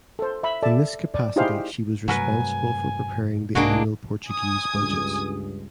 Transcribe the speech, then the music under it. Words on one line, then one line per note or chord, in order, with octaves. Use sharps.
In this capacity she was responsible for preparing the annual Portuguese budgets.
A4 C5
E5 B5
A4 D5 E5 A5
D5
D#4 E4 G4 G#4 C5 F5
G2 C3 F#3 A3 A#4 B4 G#5
C2 G#2 C3 G#3 A#3 D4 F#4 G#4
G#5 D#6 G#6
C#2 G2